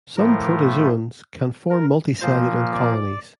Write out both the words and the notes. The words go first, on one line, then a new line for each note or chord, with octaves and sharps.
Some protozoans can form multicellular colonies.
A2 F3 A3 A#4
A#4
A#2 F3 A#3 C5
D5